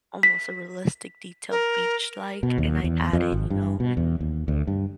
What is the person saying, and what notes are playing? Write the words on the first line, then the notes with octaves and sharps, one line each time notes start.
almost a realistic detailed beach, like, and I add in, you know
B6
A#4
B2
D#2
E2
F2
G#1
G2
B2
E2
D#2
D2
G2